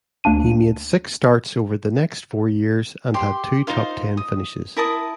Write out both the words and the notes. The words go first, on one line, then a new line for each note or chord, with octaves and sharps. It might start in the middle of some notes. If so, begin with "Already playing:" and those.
He made six starts over the next four years and had two top-ten finishes.
D2 A#3 D4 D#7
G4 C6
D#4 F4 C5 F5
D#6
E4 A#4 A5 D#6